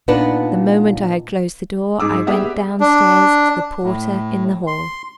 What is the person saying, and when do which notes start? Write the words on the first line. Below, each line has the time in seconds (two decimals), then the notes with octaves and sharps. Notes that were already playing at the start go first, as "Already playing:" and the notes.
The moment I had closed the door, I went downstairs to the porter in the hall.
0.08 A#2 B3 D4 D#4 B4
2.00 G#2 G#4 D6 E6
2.27 B3 G4 G#4 D5 E5 F#5
2.80 D4
3.83 A2
4.67 C6